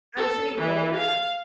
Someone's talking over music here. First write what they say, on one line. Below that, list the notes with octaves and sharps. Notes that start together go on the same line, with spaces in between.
I'm assuming Golden?
A4
E3
F5